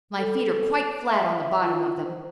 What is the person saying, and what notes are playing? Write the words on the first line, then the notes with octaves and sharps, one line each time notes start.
My feet are quite flat on the bottom of them.
A4
E5
F4
C5